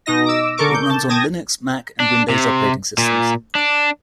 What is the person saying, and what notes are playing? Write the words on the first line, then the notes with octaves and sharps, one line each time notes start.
It runs on Linux, Mac and Windows operating systems.
B2 D#4 D#5 A#6
D6 E6
D3 A4 A#4 C#6 D6
G6
A5
G5 A5 D#6 G#6 A#6
D4
C3
A#2
D4